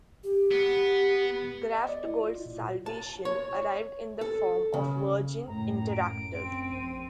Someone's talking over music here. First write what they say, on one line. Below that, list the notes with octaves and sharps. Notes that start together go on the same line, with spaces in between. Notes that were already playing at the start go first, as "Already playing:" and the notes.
Graftgold's salvation arrived in the form of Virgin Interactive.
G4
B3
D#5
D5
E4
F4
A#2
A5
C#5
A4
C#3
F#2 A2 A#5
D7
C4
A#1 D#7